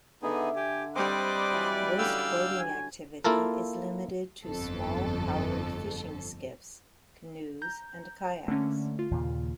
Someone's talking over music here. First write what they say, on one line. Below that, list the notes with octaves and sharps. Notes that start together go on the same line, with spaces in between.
Most boating activity is limited to small powered fishing skiffs, canoes and kayaks.
D3 B3 D#4 G#4 E5 D6
G4 G#5
G3 C4 B4 C5 D5 D#5 D6
E3 F#3 D#4
D3 C#4 F5 G5 E6
G#5
A#3 E4 F4 A4 A#4
G1 F2 A4
A#5 G6
D3 A3 A#3 C#4
F4
D#2 A#2 C#3